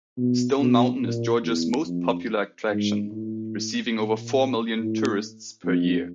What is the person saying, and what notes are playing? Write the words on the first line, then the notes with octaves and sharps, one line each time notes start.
Stone Mountain is Georgia's "most popular attraction"; receiving over four million tourists per year.
B2
B2
A#2
E2
F2
G#2
A2
A#2
A2
F2